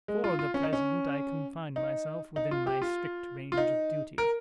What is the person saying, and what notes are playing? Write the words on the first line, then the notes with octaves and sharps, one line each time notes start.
For the present, I confine myself within my strict range of duty.
G#3
F4
F4
C#4
D#4
C#4
D#4
D#4
F4
G4
F4
F4
D#4
A#4